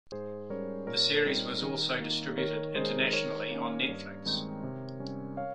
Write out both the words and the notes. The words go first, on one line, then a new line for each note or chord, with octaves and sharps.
The series was also distributed internationally on Netflix.
G#2 G#4 C5
G3 C#4 A#4 C#5
A#2 A#4 C#5
G3 C4 D#4
D#3
A#3 D#4
D#3 A#4 C#5
G#3 D#4 G#4 C5
D#3 A#4 C#5
A#3 C#4
G2
D#3 G#3 C4 D#4
C3
G3 C#4
C#5 F5